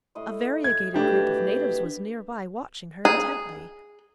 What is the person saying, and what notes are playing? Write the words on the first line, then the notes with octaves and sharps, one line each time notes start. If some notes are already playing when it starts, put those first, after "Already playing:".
A variegated group of natives was near by, watching her intently.
A2 D#5 C6
G#6
B2 E3 A3 D4 G4
G#4